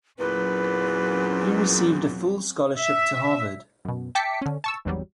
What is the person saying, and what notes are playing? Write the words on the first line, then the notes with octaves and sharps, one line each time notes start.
He received a full scholarship to Harvard.
E2 A#2 F#3 C4 C#4 B4
E5
F#2 B2
E5 G5 A5 D6 B6 C#7
D3 C#4
A5 C#6 E6
G#1 E2 F#3 G3